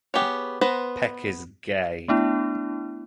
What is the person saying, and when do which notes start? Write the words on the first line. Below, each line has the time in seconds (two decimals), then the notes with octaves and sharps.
Peck is gay.
0.14 B3 G4 G#4 C#5
0.61 B3 B4 C5 A#5
2.08 A3 B3 D4 E4